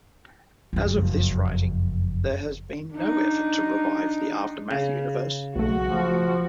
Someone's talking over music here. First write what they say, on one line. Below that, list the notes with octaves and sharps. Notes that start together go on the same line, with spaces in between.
As of this writing, there has been no effort to revive the Aftermath Universe.
F#1 F2
D4 D#4
C#3
B1 A3 F#4
F3